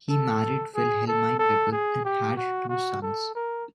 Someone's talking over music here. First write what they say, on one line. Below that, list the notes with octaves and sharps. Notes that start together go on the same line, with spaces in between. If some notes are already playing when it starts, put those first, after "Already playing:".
He married Wilhelmine Weber and had two sons.
A4
G#4
A4
A4
G#4
G4
F#4
F#4
A4
A#4